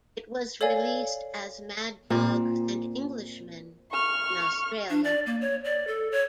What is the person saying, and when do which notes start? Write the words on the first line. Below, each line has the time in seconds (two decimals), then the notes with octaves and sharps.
It was released as "Mad Dogs and Englishmen" in Australia.
0.61 A4 C#5 D5 F5 G#5
2.10 A#2 C4
3.91 C#6 F6
4.90 D4
5.04 D5
5.26 A#3
5.41 C#5
5.64 D5
5.87 A4
6.12 C#5